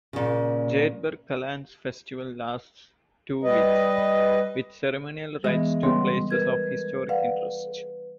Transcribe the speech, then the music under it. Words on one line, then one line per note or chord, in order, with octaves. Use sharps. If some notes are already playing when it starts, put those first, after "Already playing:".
Jedburgh Callants Festival lasts two weeks, with ceremonial rides to places of historic interest.
A#2 C#3
G3 B4 D#5
E3 G#3 B3 E5
C#3 G3 B3 C6
A#4 B4 G#6
B4 D5 F5 F#5